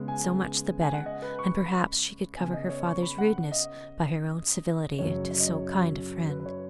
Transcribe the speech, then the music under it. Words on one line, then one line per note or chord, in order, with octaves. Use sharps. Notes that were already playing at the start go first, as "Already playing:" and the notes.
So much the better, and perhaps she could cover her father's rudeness by her own civility to so kind a friend.
Already playing: C#3 G#3 B3
G#5
G#5
F#5
D#5
B4
C#6
B5
C#3 B3 G#5
D#5
C#5
C#6
B5
F#5
D#5
F#2 C#3 F#3 C#4 C#5
C#5
D#5
C#5
B4
B4
C#5